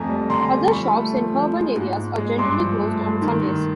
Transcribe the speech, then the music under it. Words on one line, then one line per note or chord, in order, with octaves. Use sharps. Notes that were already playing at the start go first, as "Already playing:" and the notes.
Other shops in urban areas are generally closed on Sundays.
Already playing: F2 A3 G#5 A#5
G3
D3 A#5 C6
G3
F3 B5 C#6
A3
F3
F3
G#3
G#2
G#2
G#3
G2 C6 D6
F3
A3
G2
D#3
D#3